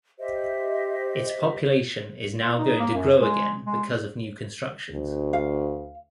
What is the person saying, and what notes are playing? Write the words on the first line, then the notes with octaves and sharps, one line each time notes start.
Its population is now going to grow again because of new constructions.
G4 C5 D#5 E5
F4
D#4
A#3
F#2
G#3
G#3
D2
F5